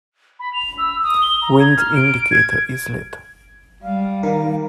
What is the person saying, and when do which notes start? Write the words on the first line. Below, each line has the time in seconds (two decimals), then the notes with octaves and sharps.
Wind indicator is lit.
0.39 B5
0.53 F7
0.78 E6
1.03 D#6
1.22 G7
1.42 A#5
1.60 G#6
1.77 F6
1.96 D7
2.31 G#6
3.83 G3 F5
4.23 D#3 A#4